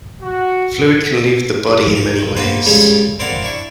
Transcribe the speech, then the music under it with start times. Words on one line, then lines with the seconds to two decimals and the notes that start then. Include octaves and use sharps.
Fluid can leave the body in many ways.
0.22 F#4
1.95 D#4 A#4
2.19 B1 D#3
2.36 A#3 B3 D#4 B4 C5
2.66 C#2 G2 C#3 A4 C#5 B5
3.19 C4 E4 A#4 D5 F5 F#5
3.42 D4 E4 C#6